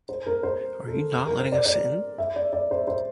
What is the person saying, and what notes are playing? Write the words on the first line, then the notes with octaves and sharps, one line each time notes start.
Are you not letting us in?
C5
A#4
C5
A4
A#4
C5
D5
D5
E5
D5
D5
C5
C5